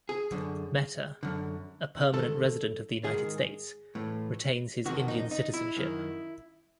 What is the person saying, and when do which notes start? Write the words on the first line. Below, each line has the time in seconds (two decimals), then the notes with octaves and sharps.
Mehta, a permanent resident of the United States, retains his Indian citizenship.
0.09 G#4
0.31 F#2 D3
1.23 F#2 D3
2.13 G#2 D#3 A4
3.04 G#2 D#3 G#4
3.95 A2 E3
4.85 F2 C3 D#3 F#4
5.08 D#4
5.31 D#4
5.54 E4
5.77 F#2 D#3